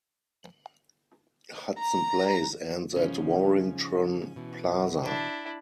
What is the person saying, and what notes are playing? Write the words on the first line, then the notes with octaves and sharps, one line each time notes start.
Hudson Place ends at Warringtron Plaza.
A#5
G#2 C#3 F3 C#4
B2 E3
D4 E4